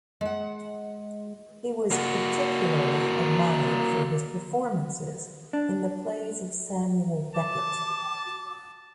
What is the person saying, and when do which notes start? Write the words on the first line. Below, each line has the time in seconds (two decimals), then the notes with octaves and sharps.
He was particularly admired for his performances in the plays of Samuel Beckett.
0.21 G#3 F#5
1.91 A#3 F#4
5.53 D4
7.35 A5 D6